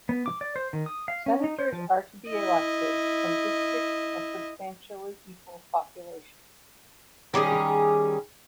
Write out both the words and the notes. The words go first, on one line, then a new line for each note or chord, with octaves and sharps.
Senators are to be elected from districts of substantially equal population.
B3
D6
D5
C5
D#3
D#6
F5
C#4
D#4
C5
F3
E4 D#5
D#3 G3 C#4 G#4